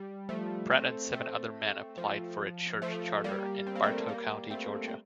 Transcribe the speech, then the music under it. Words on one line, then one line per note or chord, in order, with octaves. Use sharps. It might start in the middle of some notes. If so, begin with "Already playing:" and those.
Pratt and seven other men applied for a church charter in Bartow County, Georgia.
Already playing: G3
F3 A3
A3 C4
A3 C4
F3
F3 A3
G3 A#3
C4
A#3
A3 C4
G3 A#3
A3 C4
C4